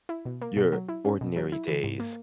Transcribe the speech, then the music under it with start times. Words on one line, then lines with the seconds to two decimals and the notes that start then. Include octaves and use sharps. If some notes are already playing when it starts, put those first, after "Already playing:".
your ordinary days
0.09 E4
0.25 B2
0.42 A#3
0.57 B2
0.72 F#3
0.89 E4
1.05 C#4
1.21 B2
1.36 F#3
1.52 E4
1.68 E3
1.84 G#2
2.00 A#3